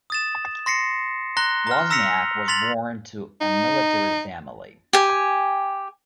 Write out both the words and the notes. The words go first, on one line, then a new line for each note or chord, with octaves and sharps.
Wozniak was born to a military family.
D#6 A6 E7
C6 A#6 C7 C#7
A#5 C6 F#6 A#6 G7
A#5 F6
A#5 E6 A#6 B6 C#7 F7
C6 A6 B6 F7 F#7
D#4
G4 G#5